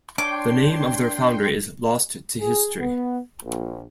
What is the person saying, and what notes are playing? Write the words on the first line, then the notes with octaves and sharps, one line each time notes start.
The name of their founder is lost to history.
D4 C#5 G5 C6 D6
G#4
B3
A#1